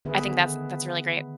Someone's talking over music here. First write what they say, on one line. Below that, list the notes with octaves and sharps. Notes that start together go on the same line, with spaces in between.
I think that's that's really great.
D3 D#3 B3 G#4 B4 E5